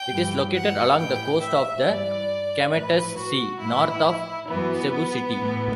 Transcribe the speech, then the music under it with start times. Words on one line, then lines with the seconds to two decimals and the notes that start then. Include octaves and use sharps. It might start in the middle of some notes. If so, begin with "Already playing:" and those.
It is located along the coast of the Camotes Sea, north of Cebu City.
Already playing: G5
0.09 G2 E3
0.53 F#5
0.96 A2 E3 G5
1.39 E5
1.83 G2 E3 D5
2.71 A2 E3 B4
3.15 F#4
3.59 A2 E3 E4
4.46 F#2 E3 B3
5.34 A2 E3